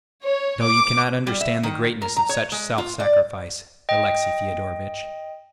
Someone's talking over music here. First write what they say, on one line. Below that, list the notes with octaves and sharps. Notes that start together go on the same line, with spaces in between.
No, you cannot understand the greatness of such self-sacrifice, Alexey Fyodorovitch.
C#5
D6
G3
E5
D#3
A#4
A#5
C#5
G#3
F4
D5
D#5 G5